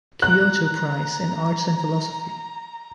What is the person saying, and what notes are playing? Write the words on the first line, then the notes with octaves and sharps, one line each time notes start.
Kyoto Prize in Arts and Philosophy.
A#5 F#6